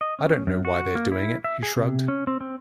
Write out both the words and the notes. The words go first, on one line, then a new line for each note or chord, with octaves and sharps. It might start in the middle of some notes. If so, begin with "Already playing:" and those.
"I don't know why they're doing it," he shrugged.
D#5
C#4
F#2
F#4
A#3
E4
E5
G#4
C3
C#4
C4
C4